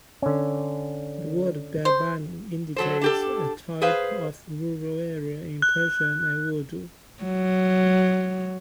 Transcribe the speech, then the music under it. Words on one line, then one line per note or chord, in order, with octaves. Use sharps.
The word "Biabani" indicates a type of rural area in Persian and Urdu.
D3 C#4
C5
F#3 A4 C5
D4 G4 A4
G#4 B4 C5 F5
F#6
F#3